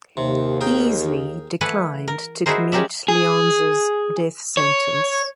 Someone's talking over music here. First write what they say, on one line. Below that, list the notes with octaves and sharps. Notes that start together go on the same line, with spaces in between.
Easley declined to commute Lyons' death sentence.
D#2 C3
G#4 A#4 G5
E3 A3 B4 F#5 G#5
A#4
D#4 E4 F#4 G#4 A#4 C5
G#3 C#4 G4 A#4 D5 E5
G#4
C#5